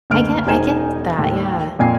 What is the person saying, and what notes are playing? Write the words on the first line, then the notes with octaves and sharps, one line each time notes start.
I get I get that. Yeah.
F#1 D2 F6 D7
E1 D#4 C5 G#5 A#5 E7
D#2 A2
F2 A#2 G#5 C7